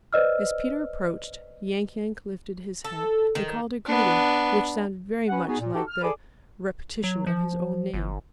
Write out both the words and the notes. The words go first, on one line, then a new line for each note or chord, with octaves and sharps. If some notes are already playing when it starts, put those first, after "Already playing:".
As Peter approached, Yank-Yank lifted his head and called a greeting which sounded very much like the repetition of his own name.
B4 C5 D5 D#5 E6 F6
A4
D#3
B3 D4
C#4 B4 F#5
B3 D#4 F#4 G#4
A#2
D#4 F#4 G4 A4
F6
G#4 A4 B4 D5
F#3
F3
G1